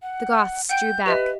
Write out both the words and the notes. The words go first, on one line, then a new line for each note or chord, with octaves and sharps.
The Goths drew back.
F#5
F#5 G5 G6 D7
G4 B4 D#5 E5